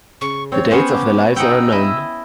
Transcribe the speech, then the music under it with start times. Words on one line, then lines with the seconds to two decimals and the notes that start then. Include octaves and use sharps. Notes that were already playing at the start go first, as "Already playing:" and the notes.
The dates of their lives are unknown.
0.21 C#3 C#6
0.52 C4 C#5
0.71 B3 C#4 C5 F#5
0.93 D6
1.36 D#4 F#5 G5 E6
1.72 E4 D#5